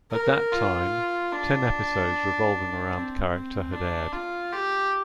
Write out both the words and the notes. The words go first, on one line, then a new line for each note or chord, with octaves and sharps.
At that time, ten episodes revolving around the character had aired.
A#4
F4
D4
C4
C4
D4
F4
G4